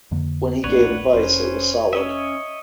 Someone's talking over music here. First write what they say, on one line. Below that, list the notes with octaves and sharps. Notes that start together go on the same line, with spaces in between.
When he gave advice, it was solid.
F2 D3 A#3
A#1 D#2 A2 D4 B4 C#5 F#5
F1 C#4 C5
C#4 C#5 D#5 E5